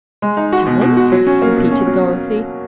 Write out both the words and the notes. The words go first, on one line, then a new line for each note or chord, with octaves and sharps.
"Talent?" repeated Dorothy.
G#3
D#4
F#4
B2
B2
F#4
F#3
C#4
A#3
B2
C#4
F#3